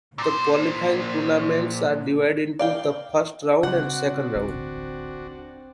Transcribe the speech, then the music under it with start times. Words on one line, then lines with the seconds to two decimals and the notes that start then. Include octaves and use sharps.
The qualifying tournaments are divided into the First round and Second round.
0.18 A#2 C5
2.59 D5 F5 G5
3.63 C#3 G3 C4 D4 F#4 F#5
4.35 D#1 A1 D2